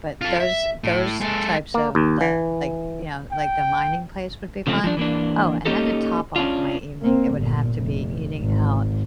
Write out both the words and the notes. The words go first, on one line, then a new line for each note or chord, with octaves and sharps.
but those those types of, uh, like you know, like, the mining place would be fun. Oh, and then to top off my evening, it would have to be eating out
F4 A4
E5
A2
G#3 A4
A#3
D#2
E3
G5
C#3 F3 A3 C4
F3 D4
E3 A#3 D4
A#3 C#4 D#4 G4 A4
C#4 D4 F4
A#3 C4
G1 A#2
F1
G#1